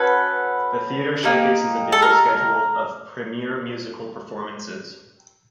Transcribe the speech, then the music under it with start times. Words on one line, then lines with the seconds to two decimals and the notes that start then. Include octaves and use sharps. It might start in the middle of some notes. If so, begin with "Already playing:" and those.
The theater showcases a busy schedule of premier musical performances.
Already playing: C#4 F#4 A4 B4
1.23 A#3 D#4 G4
1.92 A4
2.02 A#4